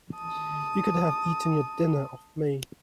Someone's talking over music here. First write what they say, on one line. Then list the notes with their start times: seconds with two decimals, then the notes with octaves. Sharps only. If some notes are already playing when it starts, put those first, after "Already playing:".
You could have eaten your dinner off me.
0.17 A5 D#6